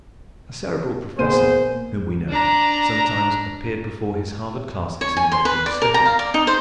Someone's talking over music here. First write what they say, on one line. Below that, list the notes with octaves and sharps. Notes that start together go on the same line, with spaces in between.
A Cerebral professor whom we know sometimes appeared before his Harvard classes in bedroom slippers.
A#1 A#3 B3 G#4 C5 D#7
D4 A#5
C#5
G#5
C6
B4
D5
A#4
A#5
F5
D5
D#4
C5